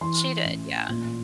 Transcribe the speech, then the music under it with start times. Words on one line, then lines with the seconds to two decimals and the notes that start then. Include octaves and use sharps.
She did, yeah.
0.01 E3 C6
0.45 A1
0.89 A#2